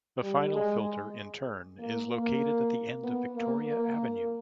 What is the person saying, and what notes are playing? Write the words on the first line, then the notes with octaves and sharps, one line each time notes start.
The final filter in turn is located at the end of Victoria Avenue.
G3
G#3
A#3
A#3
B3
A#3
A#3